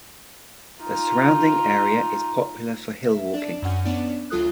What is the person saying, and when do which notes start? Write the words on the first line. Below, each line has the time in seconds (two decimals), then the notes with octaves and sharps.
The surrounding area is popular for hill-walking.
0.82 D#4 F4
3.06 E5
3.34 D4 D5
3.62 F#2 C#4 F#5
3.85 B3 C#4 D4 D5
4.30 D2 F#3 F4 A4 D#6 F#6